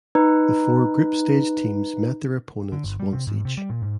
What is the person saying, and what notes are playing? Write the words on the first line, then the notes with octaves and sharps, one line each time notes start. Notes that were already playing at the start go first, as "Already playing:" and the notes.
The four group stage teams met their opponents once each.
D#4 B4
D3
G1
G3
C3
G#2
C3
G3
A#2
G#2